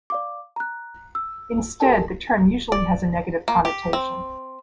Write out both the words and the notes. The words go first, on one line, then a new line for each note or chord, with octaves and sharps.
Instead, the term usually has a negative connotation.
D5 F5 D6
A#5 F#6
E6
G4 A4 A#4 D5 G#5 A5
D5
A#3
G4
C4